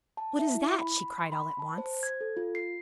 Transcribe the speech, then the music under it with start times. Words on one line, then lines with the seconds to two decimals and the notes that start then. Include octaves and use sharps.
"What is that?" she cried, all at once.
0.17 A5
0.39 E5
0.55 E4
0.81 B5
1.18 C6
1.32 B5
1.59 A5
1.78 C5
2.03 G#6
2.21 A4
2.37 F4
2.55 C7